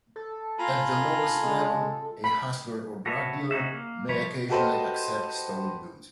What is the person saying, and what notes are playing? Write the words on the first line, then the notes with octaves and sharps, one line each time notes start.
At the lowest level, a hustler or drug dealer may occasionally accept stolen goods.
A4
F4 G#5 A#5 B5
G#3
B5
F#4 A4 B4 C#5 E5
C#4 D#4 F#4 E5
A#3
F3 G3 E4 B4 C#5
F#4 G4 A4 B4 C5 D#5